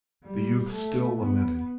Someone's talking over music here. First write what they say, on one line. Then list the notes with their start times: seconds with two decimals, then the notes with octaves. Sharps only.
The youth still lamented.
0.23 G3
0.72 A3
1.19 B3